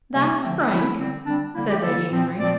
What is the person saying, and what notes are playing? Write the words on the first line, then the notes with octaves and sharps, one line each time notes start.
"That's frank," said Lady Henry.
C3 G3 A#3
D3 F3 A3 C4
D3 F3 A3 C4 E4
D3 G3 C4
D3 G3 C4 D4
D3 G3 A#3 E4
G4
D3 G3 A#3 A4
A#2 F3 C4
A#2 F3 C4 D5